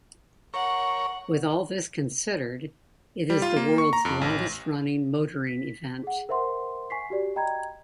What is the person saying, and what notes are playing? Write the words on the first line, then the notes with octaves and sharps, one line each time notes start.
With all this considered, it is the world's longest running motoring event.
A#4 C#5 F#5
G3
F4
A#3
C#6
A#5
F2
A1
B6
G#4 F#5
A#4 C5 E5 F#5 C6
G#5 C#6 B6 C7
F#4 G4 D5
D#5 G5 A#5 B5 G#6